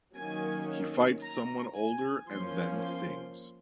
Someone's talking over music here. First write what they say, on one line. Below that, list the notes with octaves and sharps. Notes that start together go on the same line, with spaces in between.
He fights someone older and then sings.
D#3 F#3 A#3 C#4 G#5
A#5
G#5
F3 A#3 C#4 C6
C6